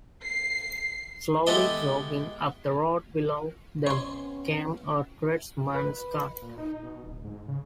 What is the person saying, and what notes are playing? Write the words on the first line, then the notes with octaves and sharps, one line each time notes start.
Slowly jogging up the road below them came a tradesman's cart.
C7
G#3 B3 G4 A4 D#5 E5
C3 B3 C#4 C#5 C6
B4
A#2
D#4
B2
D1
G#2
C#3